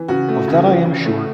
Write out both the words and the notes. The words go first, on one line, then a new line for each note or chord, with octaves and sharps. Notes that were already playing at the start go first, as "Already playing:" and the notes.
Of that I am sure.
Already playing: E3
C#3 F#4
A3
C#3
E3
C#3
A3